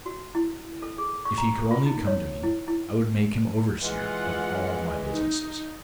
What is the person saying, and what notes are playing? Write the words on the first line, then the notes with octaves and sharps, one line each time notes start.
If he could only come to me I would make him overseer of all my business.
F#4
E4
A4
G#4
C#6
A#5
A4
F4
D#4
C#5
E4
E4
E3 G#3 F4 F#5
D#4